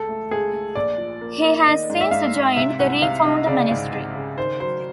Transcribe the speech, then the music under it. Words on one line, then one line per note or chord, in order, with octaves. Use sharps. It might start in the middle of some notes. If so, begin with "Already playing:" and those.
He has since joined the reformed Ministry.
Already playing: C#2 A4
A3
C#2 G#4
A3
A#1 D5
F3
A#3
A#3
D#3 D#5
G#2
E5
G#2 F5
G#2
C3 E5
C2 F#5
C3 F5
C2 D#5
C#3 D5
G#1
G#1
C#3
D#3 C5
F#3 C5